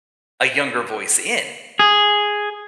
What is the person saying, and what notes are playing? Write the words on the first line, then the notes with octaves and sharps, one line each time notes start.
a younger voice in
G#4